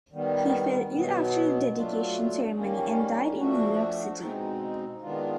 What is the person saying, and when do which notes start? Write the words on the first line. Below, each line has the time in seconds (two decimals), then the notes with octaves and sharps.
He fell ill after the dedication ceremony and died in New York City.
0.12 D#3 G3 B3
0.93 B2 F#3 B3
1.75 F#3 A3 D4 F4
2.56 D#3 G3 A#3 C#4
3.38 F3 A3 D4 F#4
4.20 B2 G#3 C4 D#4
5.01 D#3 G#3 B3 D4 F4